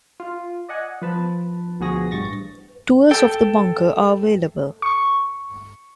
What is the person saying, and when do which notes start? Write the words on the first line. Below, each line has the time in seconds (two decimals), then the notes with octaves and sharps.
Tours of the bunker are available.
0.20 F4
0.69 D5 D#5 F#5 G#5
1.02 F3 B4 A5
1.80 D2 B2 F3 F#4 G#4 A#6
2.11 A1 G2 C#6 A6 A#6
3.11 A4 G5
4.82 C#6